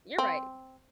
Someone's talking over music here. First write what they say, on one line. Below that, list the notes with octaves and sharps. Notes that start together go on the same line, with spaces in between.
you're right.
C4